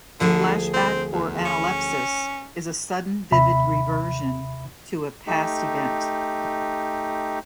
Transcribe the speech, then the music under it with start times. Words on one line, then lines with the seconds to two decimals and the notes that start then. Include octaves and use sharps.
Flashback, or analepsis, is a sudden, vivid reversion to a past event.
0.20 D2 D3 F3 G#4
0.74 C4
1.13 E2
1.45 C#4
3.32 D#2 C3 E5 B5
5.27 A3 D#4 G4